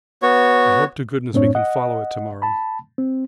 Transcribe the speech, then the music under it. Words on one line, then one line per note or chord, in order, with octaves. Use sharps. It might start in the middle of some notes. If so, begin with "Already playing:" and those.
I hope to goodness we can follow it to-morrow.
B3 F#4 C#5
F#2 A2 C4 D4 C#5
D#5 F#5
A5 B5
C4